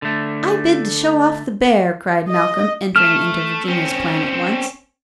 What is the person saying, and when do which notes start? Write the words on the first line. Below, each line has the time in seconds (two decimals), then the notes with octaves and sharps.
"I bid to show off the bear," cried Malcolm, entering into Virginia's plan at once.
0.02 D3 A3
2.32 D#5
2.96 A3 F6
3.68 C4 C#4